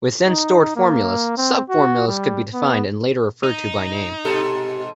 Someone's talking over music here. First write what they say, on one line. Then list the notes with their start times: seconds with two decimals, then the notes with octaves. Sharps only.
Within stored formulas, sub-formulas could be defined and later referred to by name.
0.26 D#4
0.76 A#3
1.37 C4
1.70 F#4
2.07 G3
2.53 B3
3.43 D#4
4.25 G#2 B2 G4 A4